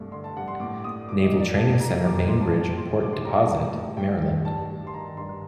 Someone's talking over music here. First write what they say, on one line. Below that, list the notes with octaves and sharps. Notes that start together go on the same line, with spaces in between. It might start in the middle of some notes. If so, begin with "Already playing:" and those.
Naval Training Center Bainbridge, Port Deposit, Maryland.
Already playing: C2 G2 A3
D3 C6
A5
G2 F#5
C6
A2 D6
A3 D#6
F#3 D6
D#5
A2
D5
D#2 A5
G3 A#5
D#3 D6
D6
D#2 C6
A5
A2 A5
A2 C6
G3 D6
C6
G3 A#5
A5
A2
A2
G3 G5
G3 G5
G2 A5
G3
C6
D#3 A#5
G2 C6